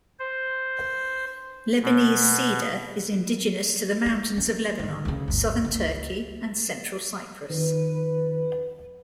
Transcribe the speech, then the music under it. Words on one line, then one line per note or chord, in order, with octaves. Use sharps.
Lebanese cedar is indigenous to the mountains of Lebanon, southern Turkey, and central Cyprus.
C5
B2
E4
C#4 E4
G2 D3
D2 C#3
G1 D2
C#2
F2 D#3 B4